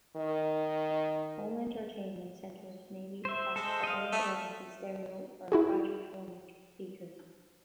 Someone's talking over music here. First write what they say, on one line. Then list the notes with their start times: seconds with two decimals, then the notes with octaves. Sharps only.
Home entertainment centers may be attached to high-fidelity stereo or quadraphonic speakers.
0.16 D#3
3.25 C5 E5
3.56 G#3 A4 C5
3.84 D#5 F5
4.13 A3
5.52 E4 F#4 G#4